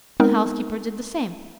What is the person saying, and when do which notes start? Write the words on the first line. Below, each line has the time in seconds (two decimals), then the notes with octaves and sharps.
The housekeeper did the same.
0.20 G#3 B3 C4 D#4 A#4